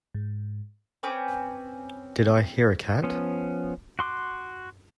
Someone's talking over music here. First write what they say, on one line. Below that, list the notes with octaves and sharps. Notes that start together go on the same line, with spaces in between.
Did I hear a cat?
G#2
C4 C#4 B4 D6
F3 B3 C#4
F#4 C6 D6 F#6